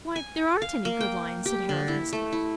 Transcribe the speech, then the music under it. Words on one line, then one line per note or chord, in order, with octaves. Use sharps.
"Why, there aren't any good lions," said Harold, hastily.
G#5
F5
A#3
G5
G4
D3
E4
A3
E4